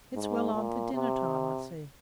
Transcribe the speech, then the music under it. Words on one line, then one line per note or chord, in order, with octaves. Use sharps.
It's well on to dinner-time, I see.'
G#2
A#2
C3